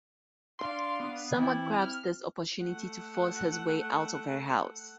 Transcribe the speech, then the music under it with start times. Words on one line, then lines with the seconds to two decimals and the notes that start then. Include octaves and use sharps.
Samar grabs this opportunity to force his way out of her house.
0.59 D4 F5 C6
1.00 B3
1.37 E3 C4 E4
1.82 F6
2.62 A3 F#5